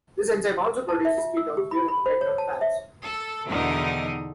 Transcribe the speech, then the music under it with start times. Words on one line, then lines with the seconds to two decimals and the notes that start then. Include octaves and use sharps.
This enzyme also produces ketones during the breakdown of fats.
0.66 A#4
0.89 A5
1.05 E5
1.18 F4
1.37 E6
1.57 G4
1.71 B5
1.88 B5
2.06 C5
2.21 C#5
2.38 A5
2.61 E5
3.03 A4
3.47 E2 B2 D3 D#3 D#4